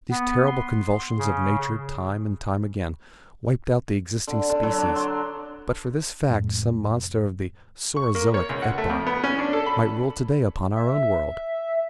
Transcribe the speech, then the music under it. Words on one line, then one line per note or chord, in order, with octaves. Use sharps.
These terrible convulsions of nature time and time again wiped out the existing species--but for this fact some monster of the Saurozoic epoch might rule today upon our own world.
B3
C6
C#3
D3
D3
F#3
D4
C6
F1 F2 A2 G#3
C#6
A#3
C#5
C#2
F#5
A3
F2
B3
C#4
D4
A4
B5
E5